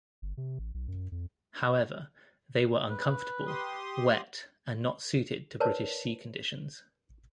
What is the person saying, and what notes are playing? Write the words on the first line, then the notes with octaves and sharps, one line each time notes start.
However, they were uncomfortable, wet and not suited to British sea conditions.
G1
C3
A1
B1
F#2
F2
B4
G4 C6 D#6
A#4 B4 C#5 D5 A5